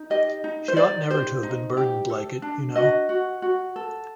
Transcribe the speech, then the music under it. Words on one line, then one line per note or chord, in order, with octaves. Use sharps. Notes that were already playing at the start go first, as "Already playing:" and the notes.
She ought never to have been burdened like it, you know.
Already playing: D#4
G4 D#5
D#4
C5
D#4 D5
G4 C5
D#4
G4
A4
D4
F#4 D#5
F#4
F#4
A4